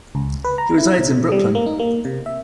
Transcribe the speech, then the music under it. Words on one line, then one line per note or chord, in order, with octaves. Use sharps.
He resides in Brooklyn.
C#2
B4
A#5
E4
B2
G3
A#3
D#4
A#3
C3
E5